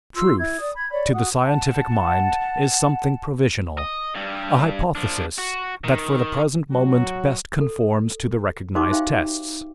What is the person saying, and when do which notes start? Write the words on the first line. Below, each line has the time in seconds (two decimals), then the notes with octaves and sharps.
Truth to the scientific mind is something provisional, a hypothesis that for the present moment best conforms to the recognized tests.
0.15 F4 C6 E6
0.37 E4 G#6
0.59 D5 D#6
0.74 B5 G#6
0.90 C#5 D5 B5
1.13 F#4 F#5 D#6
1.44 F#5 A5
3.78 D#5
4.15 G2 G3
4.95 F3 D4
5.38 F#4
5.84 D#3
6.72 F#3 F#4
7.61 A4
8.75 D#4 F#4 G4 C5 D5 D6
8.90 D#4 C5 E5 F5 G5